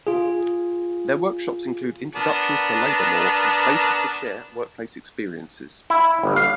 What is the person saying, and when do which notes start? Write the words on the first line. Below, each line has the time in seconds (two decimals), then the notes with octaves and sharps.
Their workshops include introductions to labor law and spaces to share workplace experiences.
0.07 F4 G#4
2.15 B3 D4 A#4
5.90 E4
6.23 G1
6.36 F5